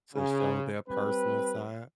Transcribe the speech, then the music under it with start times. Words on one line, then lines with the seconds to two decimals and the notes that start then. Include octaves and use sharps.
to show their personal side,
0.15 C#3
0.88 G3 C4 B4